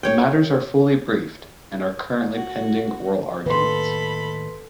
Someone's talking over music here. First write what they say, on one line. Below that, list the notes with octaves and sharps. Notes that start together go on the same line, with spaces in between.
The matters are fully briefed and are currently pending oral arguments.
C#5 G5
F#4
A2 D#3 A#3 A4 B4 B5 C6